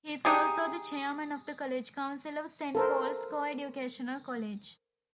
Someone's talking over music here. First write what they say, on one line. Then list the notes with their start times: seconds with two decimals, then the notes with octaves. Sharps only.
He is also the Chairman of the College Council of Saint Paul's Co-educational College.
0.25 D#4 G4 G#4
2.75 A4 A#4 C5